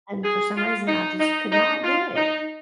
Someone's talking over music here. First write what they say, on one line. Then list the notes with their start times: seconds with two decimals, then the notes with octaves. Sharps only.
and for some reason, I just could not do it,
0.24 G#4
0.55 F4
0.87 D#4
1.19 D#4
1.51 D#4
1.83 F4
2.15 D#4